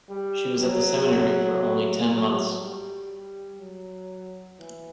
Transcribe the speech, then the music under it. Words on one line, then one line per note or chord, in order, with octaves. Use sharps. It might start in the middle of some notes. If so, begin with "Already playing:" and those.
She was at the seminary for only ten months.
G3
F#3
F#3
G3
F#3
E3